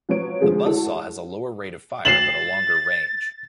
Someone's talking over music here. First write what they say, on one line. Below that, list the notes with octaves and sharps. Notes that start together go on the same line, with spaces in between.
The Buzzsaw has a lower rate of fire but a longer range.
F3 F#3 B4 C#5 D7
D3 F3 F#3 G#3 A3 G#4
E4 F#4 G#4 A4 C#5
A6 C7 E7 F#7